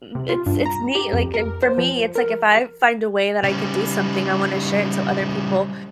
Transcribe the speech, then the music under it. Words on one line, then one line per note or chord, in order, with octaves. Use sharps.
mm, it's it's neat, like, and, for me, it's like if I find a way that I could do something, I wanna share it so other people
C3
F4
G2
A#5
G4
F2
A#4
C5
F3
A#4
C#3 G3